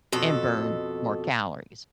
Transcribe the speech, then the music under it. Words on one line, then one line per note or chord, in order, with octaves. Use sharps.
and burn more calories.
F2 B2 A4